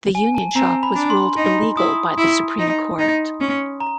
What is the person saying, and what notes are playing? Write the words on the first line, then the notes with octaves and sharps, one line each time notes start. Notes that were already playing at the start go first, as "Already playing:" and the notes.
The union shop was ruled illegal by the Supreme Court.
G#5
A5
C4 A#5
B5
D4
C6
D#4
E4 D#6
E4
D#4
D#4
C#4
A#5